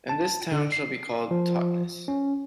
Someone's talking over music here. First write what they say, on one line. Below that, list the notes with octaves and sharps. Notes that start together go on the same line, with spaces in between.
And this town shall be called Totnes.
A5
D3
C7
F3
C#4